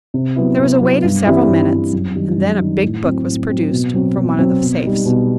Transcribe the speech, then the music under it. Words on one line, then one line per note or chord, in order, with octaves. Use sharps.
There was a wait of several minutes, and then a big book was produced from one of the safes.
C3
F#3 B3 E4
C3
F#3 B3 E4
G2
E3 G3 C4 E4
G2
E3 G3 C4 E4
F#2
D#3 G3 D#4
F#2
D#3 G3 D#4
A2
F#3 C4
A2
F#3 C4
B2
F#3 C4
B2
F#3 C4
B2
G3 D#4
B2